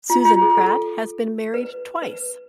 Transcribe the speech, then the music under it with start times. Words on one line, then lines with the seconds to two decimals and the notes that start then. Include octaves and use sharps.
Susan Pratt has been married twice.
0.10 F4
0.25 F4
0.42 G#4
0.57 A4
1.54 B4
2.02 B4